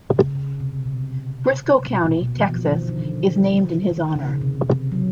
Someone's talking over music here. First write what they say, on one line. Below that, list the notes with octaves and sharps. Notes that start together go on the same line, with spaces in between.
Briscoe County, Texas, is named in his honor.
C#3
C#3
C3
B2
B2
A#2
B2
E3
F3
D#3
D3
D#3
C#3
C3
F#3